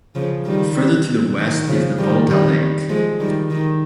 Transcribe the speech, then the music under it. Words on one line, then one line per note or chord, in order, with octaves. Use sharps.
Further to the west is the Volta Lake.
C#3 F3
D#3 G3
D#3
C#3 F3
D#3 G3
D#3 G3
F3 G#3
D#3 G3
D#3